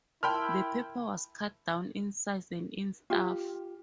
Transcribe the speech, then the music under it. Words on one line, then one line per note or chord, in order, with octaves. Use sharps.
The paper was cut down in size and in staff.
E4 A#4 G5 A5 B5 C6 F6
F4 G4